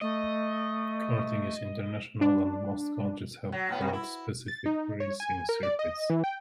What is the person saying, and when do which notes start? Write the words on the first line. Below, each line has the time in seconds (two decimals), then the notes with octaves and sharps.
Karting is international and most countries have kart specific racing circuits.
0.01 A3 D#5
2.21 D4
3.52 F#3
3.69 A2 B3
3.81 C3
3.93 E4
4.48 A6
4.66 D#4
5.00 C#5
5.20 G#5
5.49 A#4
5.63 D5
5.79 D#5
6.10 E3
6.24 G5